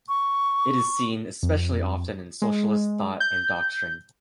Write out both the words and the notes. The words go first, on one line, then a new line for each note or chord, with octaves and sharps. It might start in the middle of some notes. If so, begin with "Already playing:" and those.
It is seen especially often in socialist thought and doctrine.
C#6
F2
G#3
G6